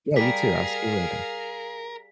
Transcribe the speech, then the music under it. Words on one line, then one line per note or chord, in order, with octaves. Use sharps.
Yeah, you too. I'll see you later.
G3 G4 G#4 A#4 F5 B6